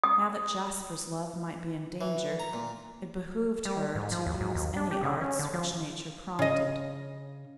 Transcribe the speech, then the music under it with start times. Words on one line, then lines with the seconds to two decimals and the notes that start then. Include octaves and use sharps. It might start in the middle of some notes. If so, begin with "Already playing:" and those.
Now that Jasper's love might be endangered, it behoved her to use any arts which nature prompted.
0.04 D#6
2.01 E3
2.40 A#5
2.53 A#2
3.65 G3
3.95 G#2
4.12 F3
4.26 D#2
4.41 G#2
4.55 D#2
4.77 D4
4.91 G4
5.03 C#3
5.21 C#4
5.39 D3
5.54 F3
6.39 C#3 D#5